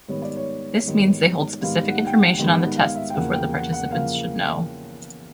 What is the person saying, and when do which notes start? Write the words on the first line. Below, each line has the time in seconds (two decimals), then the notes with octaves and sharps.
This means they hold specific information on the tests before the participants should know.
0.08 G#2 D#3 G3 B3 C#5
0.22 D5
0.37 C#5
0.86 G#2 D#3 G3 B3
1.61 G#2 D#3 G3 B3 F5
1.88 F#5
2.07 G5
2.13 F#5
2.38 G#2 D#3 G3 B3 G5
2.58 F#5
2.76 F5
2.95 E5
3.10 G5
3.14 E2 C#3 F3 A#3 F#5
3.34 G5
3.53 F#5
3.73 F#5
3.91 C#3 F3 A#3 F5